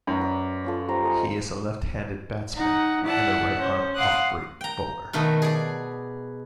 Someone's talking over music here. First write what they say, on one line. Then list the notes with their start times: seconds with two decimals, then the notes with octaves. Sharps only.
He is a left-handed batsman and a right-arm offbreak bowler.
0.07 F#2 B4 A#5
0.21 D5 B5
0.65 C#4 F4 A4
0.88 G3 C5 A#5
1.03 A4 D#5 G#5
2.54 D#4 F#5
3.03 E4 D5 F#5 A5
3.59 C#4 C5
3.95 F5 F#5 C6 D6 D#6 F#6
4.61 G5 A#5
5.13 B2 D#3 A3 B3
5.42 G#4 D5